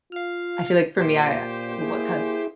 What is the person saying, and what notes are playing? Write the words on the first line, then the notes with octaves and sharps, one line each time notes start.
I feel like for me, I what kind of m
F4 F5 F6
A#2 G4 C5
A#3 E4 G#4